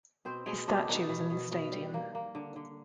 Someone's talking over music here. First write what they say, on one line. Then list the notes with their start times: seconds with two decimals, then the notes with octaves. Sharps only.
His statue is in the stadium.
0.25 B2 C4 C5
0.46 B2 G#3 G#4
0.68 B2 D4
0.88 B2 D#3 D#4
1.09 B2
1.30 B2
1.51 B2
1.72 G3
1.94 A#3
2.15 A#3
2.35 D3
2.56 D3